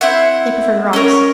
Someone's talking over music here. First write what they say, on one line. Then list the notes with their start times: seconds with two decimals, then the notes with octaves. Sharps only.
They prefer the rocks.
0.01 C4 E4 E5 F#5
0.93 C#4 A4 A#4 C#5